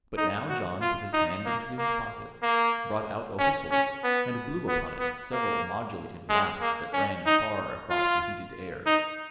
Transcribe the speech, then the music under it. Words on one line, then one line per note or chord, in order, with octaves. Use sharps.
But now John put his hand into his pocket, brought out a whistle, and blew upon it several modulated blasts that rang far across the heated air.
D#4
F#4
F4
D#4
A#3
A#3
A#3
C#4
C#4
B3
B3
B3
A#3
G#3
A#3
C#4
D#4
F4
D#4